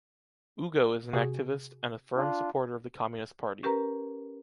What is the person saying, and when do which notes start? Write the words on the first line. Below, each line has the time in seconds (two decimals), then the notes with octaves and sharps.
Ugo is an activist and a firm supporter of the communist party.
1.13 C3 F#4 G#4
2.16 D4 F4
3.63 C#4 G4 A#4 B4 A#5